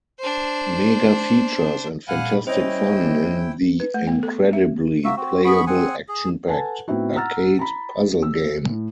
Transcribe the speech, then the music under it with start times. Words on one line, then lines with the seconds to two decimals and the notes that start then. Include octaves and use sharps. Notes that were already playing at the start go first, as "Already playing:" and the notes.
Mega features and fantastic fun in the incredibly playable, action packed, arcade puzzle game!
0.20 D4 C5
2.08 A#2 G3 F5 F#5 G#5 B5
2.47 G3 C#4 E4 C5 C#5 D#5 G5
3.80 B4
3.94 A3
4.07 B3
4.23 A4
4.53 E5
5.04 A#3 F#4 E5
5.16 C4 F#4
5.45 B3 G#4 B5 C#6
5.67 C4 G#4 F#5 G#5
6.09 G#4
6.47 A4 B4 F#5 G#5 A5
6.88 A2 B3 C4 D#4 E4 F#4
7.15 F#5 A#5 E6 F6 A6
7.59 A#5 B5
8.23 E6
8.69 A2